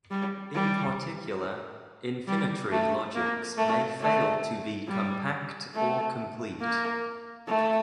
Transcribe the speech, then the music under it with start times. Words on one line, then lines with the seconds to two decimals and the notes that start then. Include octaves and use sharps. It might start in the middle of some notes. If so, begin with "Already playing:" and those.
In particular, infinitary logics may fail to be compact or complete.
0.11 G3
0.54 G3
2.27 G3
2.71 A3
3.15 A#3
3.57 A3
4.00 A3
4.87 G3
5.74 A3
6.60 A#3
7.47 A3